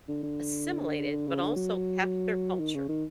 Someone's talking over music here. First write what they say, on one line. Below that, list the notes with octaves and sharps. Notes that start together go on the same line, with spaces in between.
assimilated, but also kept their culture.
D3
D3
C#3
D3
F#3
D#3
C#3
D#3